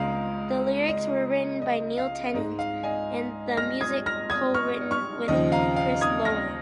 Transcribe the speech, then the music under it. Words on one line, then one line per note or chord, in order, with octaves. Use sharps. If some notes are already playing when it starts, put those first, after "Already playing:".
The lyrics were written by Neil Tennant and the music co-written with Chris Lowe.
Already playing: C#2 C#3 G#3 F5 A#5 D#6
D#5
D#5
F5
G#2 G#3 D#5
F5
D#5 G#5
F6 A#6
D#6 G#6
F6 A#6
D#6 G#6
C#6 F6
C#6 F6
D#2 C#3 F3 D#5
F5 A#5
F5
D#6 G#6
F6 A#6